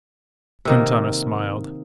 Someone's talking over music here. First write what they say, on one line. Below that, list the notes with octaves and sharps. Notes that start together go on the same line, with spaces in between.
Quintana smiled.
C3 D#3 A#3